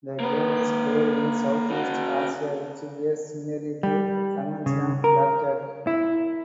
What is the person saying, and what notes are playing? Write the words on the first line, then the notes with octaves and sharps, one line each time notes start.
The game is played in South East Asia which bears similarity to conventional Blackjack.
A#3 B4
C#3 F#4
G3
C#3
A#4
E4